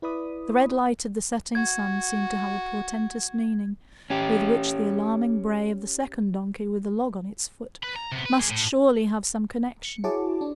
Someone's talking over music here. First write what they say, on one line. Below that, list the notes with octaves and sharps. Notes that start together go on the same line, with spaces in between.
The red light of the setting sun seemed to have a portentous meaning, with which the alarming bray of the second donkey with the log on its foot must surely have some connection.
E4 B4 D5 B5 D#6
F#4 G#6
C#4 G4
B4 B5
A#5
C3 B3
B4
A#3 G#4
A2
C#7
E4 F#4 G#4 C#5 A5 D6
D4